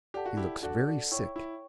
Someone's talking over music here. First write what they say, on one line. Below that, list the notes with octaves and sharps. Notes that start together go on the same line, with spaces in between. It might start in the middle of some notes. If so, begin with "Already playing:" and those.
He looks very sick.
G4 A4 D5 F#5 A5
F#4
E4 G4
D4 F#4 A4 D5 F#5 A5
E4 C#5 G5 C#6
E4